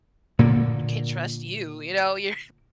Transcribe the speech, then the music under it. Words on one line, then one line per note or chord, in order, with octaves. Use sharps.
can't trust you." you know? You're
A#2 D3 A#3